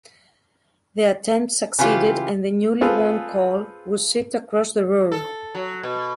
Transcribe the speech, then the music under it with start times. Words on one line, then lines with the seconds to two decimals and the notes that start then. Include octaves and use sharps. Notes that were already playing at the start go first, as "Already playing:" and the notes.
The attempt succeeded and the newly won coal was shipped across the Ruhr.
1.79 C#3 E3 F4 G4
2.81 C4 F4 G#4 A4 B4
5.12 A4
5.55 F#3
5.83 B2